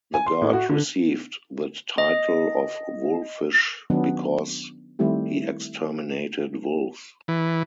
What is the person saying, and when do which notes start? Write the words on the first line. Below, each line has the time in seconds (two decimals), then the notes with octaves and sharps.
The god received the title of Wolfish because he exterminated wolves.
0.14 G#5
0.26 C6
0.41 A2
0.53 F#4
0.69 D3
1.98 D#5
3.90 D#3 F#3 B3 C#4 D4
4.99 D#3 G3 A3 C4 E4 G4
5.42 E4
7.28 E3